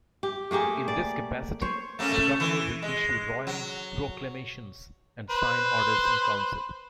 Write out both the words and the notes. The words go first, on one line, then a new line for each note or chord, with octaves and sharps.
In this capacity, the governor will issue royal proclamations and sign orders in council.
G4
A3 A#3 G4 G#4
D5
C5 C#5
A3 A#3 C#4
A3
E3
G#3
F#3
B4 C5